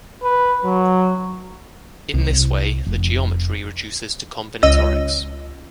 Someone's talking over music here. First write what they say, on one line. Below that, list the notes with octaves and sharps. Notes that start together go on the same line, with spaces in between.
In this way the geometry reduces to combinatorics.
B4
F#3
C2
F1
C#2 D#5 E6 A#6